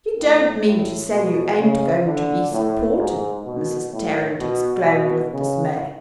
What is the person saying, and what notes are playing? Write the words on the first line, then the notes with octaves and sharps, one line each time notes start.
"You don't mean to say you ain't going to be supported?" Mrs. Tarrant exclaimed, with dismay.
A2
A2
B2
C#3
D3
A2
G#2
B2
A2
B2
B2
C#3